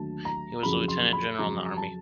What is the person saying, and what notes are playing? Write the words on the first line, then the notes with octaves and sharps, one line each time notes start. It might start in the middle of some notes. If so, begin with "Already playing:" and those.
He was a lieutenant-general in the Army.
Already playing: D#2 D3 F#3 A3 A5
A#5
F2 C#3 F#3 B5
C6
B5
F2 C#3 F#3 A#5
A5